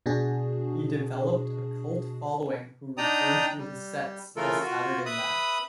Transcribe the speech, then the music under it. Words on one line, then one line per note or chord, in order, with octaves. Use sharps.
He developed a cult following who referred to his sets as "Saturday Mass".
B2 D4 F#4 G#4
D4 D#4 D5 G5 A#5 D#6
G3
C#3 E3 A3 F4 A4 A#4
F4 F#4
B4 E5 B5 D#6